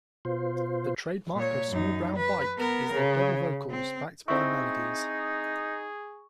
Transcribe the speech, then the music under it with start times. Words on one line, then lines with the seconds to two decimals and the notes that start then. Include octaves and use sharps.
The trademark of Small Brown Bike is their "double vocals" backed by melodies.
0.25 B2 F4 C5
1.35 A#2 C#5
1.68 F#2 D#4
2.16 B4
2.58 B3 A#4
2.93 C#3
3.70 C4
4.28 C4 D#4 E4 G#4 C#6